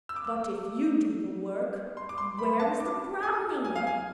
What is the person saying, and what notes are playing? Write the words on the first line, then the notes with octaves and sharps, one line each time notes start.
"But if you do the work, where is the brownie?"
E6
D6
E6
C6
D6
C6
B5
A5
D6
G#5
G#5
F5
G#5